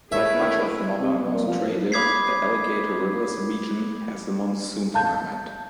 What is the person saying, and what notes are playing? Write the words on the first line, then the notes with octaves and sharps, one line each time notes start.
Like much of northern Australia, the Alligator Rivers region has a monsoon climate.
A3 E4 G#4 A#4 B4 C#5 E5
C3
B2
A#2
F3
A2
B5 D6 D#6 G#6 B6 C7
F5 A5 G6